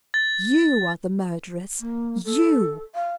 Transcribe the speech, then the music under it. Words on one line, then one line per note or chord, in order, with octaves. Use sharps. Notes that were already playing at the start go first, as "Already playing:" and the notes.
You are the murderess--you!
A6
A#3
A4
F5